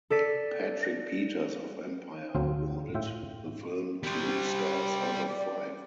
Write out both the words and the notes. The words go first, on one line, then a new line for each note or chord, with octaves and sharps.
Patrick Peters of "Empire" awarded the film two stars out of five.
A4 D5 B6 D#7
D2 F#3 C4 F5
A2 F4 E5 G5
G3 G4 C5
D5